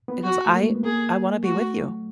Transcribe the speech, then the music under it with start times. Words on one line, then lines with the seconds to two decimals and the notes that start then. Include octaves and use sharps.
he goes, "I I wanna be with you."
0.08 B3
0.23 F#4
0.46 A3
0.53 A#3
0.63 G#3
0.74 B3
0.83 A#3 G#4
1.43 A3 F#4
1.54 A3
1.75 F#3